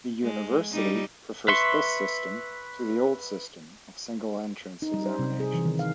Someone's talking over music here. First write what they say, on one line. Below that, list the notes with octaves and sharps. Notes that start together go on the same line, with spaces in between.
The university prefers this system to the old system of single entrance examinations.
G#3
G3 D#4
B4 E5 C6 C#6
D#4
G3
C5
C3
G#4
E3
D#3
F5